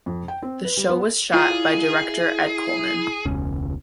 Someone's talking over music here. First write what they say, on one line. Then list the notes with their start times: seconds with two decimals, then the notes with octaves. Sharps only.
The show was shot by director Ed Coleman.
0.06 F2
0.28 G5
0.42 C4
0.65 B4
0.77 G3
0.89 B3
1.34 E4 F4 G#4 D5
3.26 E1 C#2 C#4